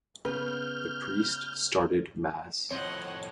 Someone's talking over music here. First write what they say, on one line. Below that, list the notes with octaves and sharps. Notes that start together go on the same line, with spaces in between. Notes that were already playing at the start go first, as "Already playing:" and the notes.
The priest started mass.
C#3 B3 B4 F6 G6
F2 A2 C4 C#5 D#5 F#5